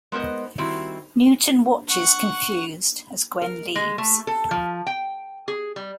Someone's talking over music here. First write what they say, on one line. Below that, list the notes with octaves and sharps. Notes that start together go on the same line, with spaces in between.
Newton watches, confused, as Gwen leaves.
G#3 B3 A#4 C5 D#5
D#3 G3 C4 E4 F#4
F#5 C#6
A#4
G#3
A3
A4
F3
G5
G#4
G3